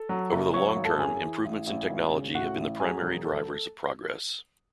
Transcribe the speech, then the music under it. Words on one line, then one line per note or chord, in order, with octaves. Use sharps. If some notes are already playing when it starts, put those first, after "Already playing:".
Over the long term, improvements in technology have been the primary drivers of progress.
Already playing: A4
F#3
F#1
F#3 C#5 C#6
C#5 C#6
G#1
A4 A5
F#2 G#4 G#5
E3
A1
A1
G#1
C#3
A2 F#4 F#5
A1
F#3 G#4 G#5
E1
A4